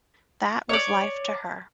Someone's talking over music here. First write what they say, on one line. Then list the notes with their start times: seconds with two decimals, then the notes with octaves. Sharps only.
That was life to her.
0.69 C#5 D5